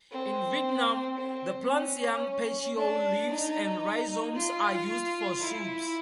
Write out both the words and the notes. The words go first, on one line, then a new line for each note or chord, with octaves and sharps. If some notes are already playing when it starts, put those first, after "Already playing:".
In Vietnam, the plant's young petiole leaves and rhizomes are used for soups.
C4
C4
C#4
D4
D#4
F4
E4